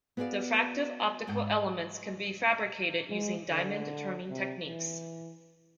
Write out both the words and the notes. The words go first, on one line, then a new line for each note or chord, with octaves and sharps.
Diffractive optical elements can be fabricated using diamond turning techniques.
B3 F#4 G#4 C5 D5 F5
G#2 F#5 G5 A5
G#3
D3
C3
E3